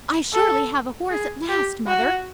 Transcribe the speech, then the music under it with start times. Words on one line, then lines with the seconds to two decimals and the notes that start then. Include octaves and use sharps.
"I surely have a horse at last, mother."
0.33 A4
1.11 G#4
1.49 G4
1.87 F#4